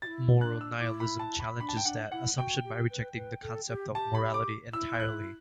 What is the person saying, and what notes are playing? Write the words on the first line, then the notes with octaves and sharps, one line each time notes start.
Moral nihilism challenges that assumption by rejecting the concept of morality entirely.
E4 F#4 A6
D4 F#6
E6
E4 D6
B5
A5
B5
D4 B5
A5
G5
D4 F#5
E4 F#5
F#4 G5
G4
B4
B4
A4
G4
G4 A5
B5
D6
E4 E6
F#6